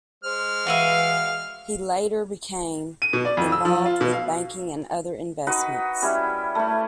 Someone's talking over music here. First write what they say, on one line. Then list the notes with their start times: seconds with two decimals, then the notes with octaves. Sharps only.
He later became involved with banking and other investments.
0.24 G#3 C5 F6
0.67 E3 F#4 B4 E5 F5
3.02 D#7
3.13 B2
3.25 D5
3.37 F2
3.52 E6
3.65 F3
3.86 F4
4.01 B2
4.13 F5
5.47 D#4 F#4 B4
6.02 G3 C#4 E4
6.55 A3 E4